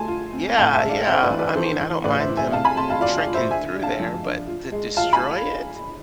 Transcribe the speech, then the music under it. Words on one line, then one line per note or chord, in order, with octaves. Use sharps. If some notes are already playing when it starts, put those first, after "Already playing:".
Yeah, yeah, I mean, I don't mind them trekking through there, but to destroy it?
Already playing: A3 G#5 A5 C6
F4
C4
A2 F5 A5
E5 G#5
G#3
D5 F5
C4 C5 E5
B4 D5
E3
B4 D5
E3 A4 C5
E3
A2 B4 D5
C5 E5
E4
E5 G#5
C3 F5 A5
G#5 B5
C3 A5 C6
F5 A5
F4 D5 F5
D5 F5
F4
C5 E5
D3 E5 G#5
D4
F5 A5
F3
D4
F4
G#3
F4 F5 A5
G#5 B5